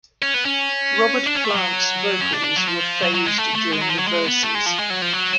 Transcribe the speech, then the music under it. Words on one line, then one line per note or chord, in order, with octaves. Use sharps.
Robert Plant's vocals were phased during the verses.
C#4
B3
C#4
D4
C#4
A3
F#3
C#4
D4
D4
F#3
F3
F#3
F#3
G#3
A3
A3
G#3
F#3
F3
F#3
G#3
B3
A3
G#3
F3
G#3
F#3
F3
F#3